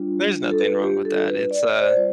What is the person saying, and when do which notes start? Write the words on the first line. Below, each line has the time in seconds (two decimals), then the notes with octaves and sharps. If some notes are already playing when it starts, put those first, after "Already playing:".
there's nothing wrong with that. It's, uh,
Already playing: G3 D4 F4
0.51 A4
0.60 B4
0.83 G4
1.05 A4
1.28 B4
1.51 D5
1.73 D5
1.81 C5
1.88 D5
1.96 G3 C4 F4 C5